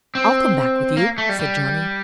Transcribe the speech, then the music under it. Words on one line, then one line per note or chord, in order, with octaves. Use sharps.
"I'll come back with you," said Johnny.
C4
A#3
A3
G3
G3